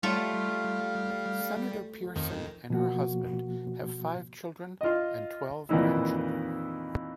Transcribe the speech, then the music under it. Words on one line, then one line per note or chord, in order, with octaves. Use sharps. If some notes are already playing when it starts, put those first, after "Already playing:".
Senator Pearson and her husband have five children and twelve grandchildren.
G3 A3 F4 F5
F2 D#3
B2 F3 A#3 F#4
F4 D#5
F2 A#2 D#3 E3 D#4 E4